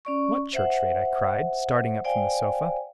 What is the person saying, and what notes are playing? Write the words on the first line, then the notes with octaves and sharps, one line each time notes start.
"What church-rate?" I cried, starting up from the sofa.
C#4 D5 C#6
C5 E5 F#5
C5 D5 F5 G5 G#5